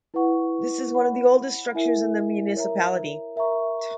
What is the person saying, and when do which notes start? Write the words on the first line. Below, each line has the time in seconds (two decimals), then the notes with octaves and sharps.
This is one of the oldest structures in the municipality.
0.14 E4 B4 F#5 C#6
0.95 C#5 F#5 B5
1.75 E4 A#4 E5 G#5
2.56 A#4 C#5 E5 A#5
3.36 A#4 E5 A#5 C#6